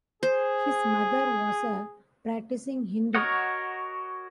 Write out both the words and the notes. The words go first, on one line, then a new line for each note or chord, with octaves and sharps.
His mother was a practicing Hindu.
G#4 C5
F#4 A#4 C#5 D#5 F#5